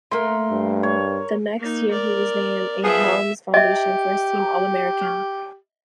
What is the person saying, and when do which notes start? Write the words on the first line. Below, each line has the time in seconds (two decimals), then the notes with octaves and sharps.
The next year, he was named a Helms Foundation first-team all-American.
0.11 A3 A#3 A#4 C6
0.51 G2
0.83 C#5
1.59 A#3 D#4
1.91 A#4 D5
2.84 F3 B3 G#4 E5
3.54 G4 D#5 E5